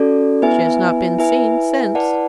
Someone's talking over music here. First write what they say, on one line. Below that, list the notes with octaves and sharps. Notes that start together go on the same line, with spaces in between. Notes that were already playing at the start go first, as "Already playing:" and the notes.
She has not been seen since.
Already playing: C#4 F#4 A4 D5
B3 E4 B4 E5 G#5
E4 B4 E5 G#5
E4 B4 D5 F#5 A5